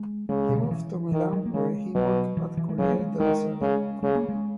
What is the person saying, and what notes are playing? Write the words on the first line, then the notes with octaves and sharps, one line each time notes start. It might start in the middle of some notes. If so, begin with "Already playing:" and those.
He moved to Milan where he worked at Corriere della Sera.
Already playing: G#3
C#3 G#3
B2
C#3
D#3
E3
D#3 E3
F#3
A#3
C#3 G#3
B2 F#3
E3
E3
G#3
C#3 F#3
A#3
G#3
D#3 G#3
C#3 G#3
C#3 G#3
A#3
G#3